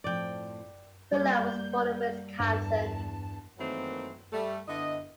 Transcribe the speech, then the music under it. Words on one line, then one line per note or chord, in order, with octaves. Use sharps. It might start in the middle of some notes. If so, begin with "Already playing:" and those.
Filo was born in Wisconsin.
A2 F3 C4 D5 G5
G3 A#3 D5 G6
E2 G2 A5
D#3 E3 F#3 A3 A#3 C4
G3 A3
D3 B3 E4 D#5